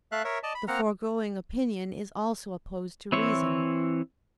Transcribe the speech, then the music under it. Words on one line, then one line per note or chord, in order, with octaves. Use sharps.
The foregoing opinion is also opposed to reason.
A3 E5 F5 F#6
A#4 C#5 E5
D5 D#5 A5
B5
A#3 C4 F#5 A#5 F6
E3 C4 E4 C#5